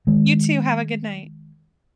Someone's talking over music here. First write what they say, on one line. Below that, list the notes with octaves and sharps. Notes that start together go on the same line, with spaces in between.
You too. Have a good night.
D#3 G#3